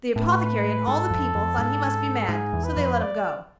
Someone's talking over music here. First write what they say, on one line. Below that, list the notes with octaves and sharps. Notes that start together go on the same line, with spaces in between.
The apothecary and all the people thought he must be mad, so they let him go.
A2 B4
G#2 A4
F2
F2
G#2
G#2 G#4
E2
B4
F2
D5